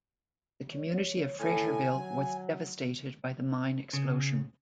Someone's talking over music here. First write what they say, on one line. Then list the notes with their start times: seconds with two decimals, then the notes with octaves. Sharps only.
The community of Fraterville was devastated by the mine explosion.
0.73 C#5
1.40 A2 G#5
1.95 F#3
3.93 C#3